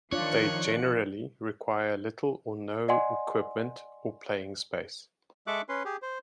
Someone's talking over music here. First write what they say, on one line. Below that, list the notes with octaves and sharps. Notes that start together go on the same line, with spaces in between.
They generally require little or no equipment or playing space.
D#3 F3 D4 F4 C#5 D5 F#6 C#7
D5 D#5 F#5 G#5 C6
G#3 A4 E5 C#6 D6 F#6
C#4 B4 C6
G4 G#4
C5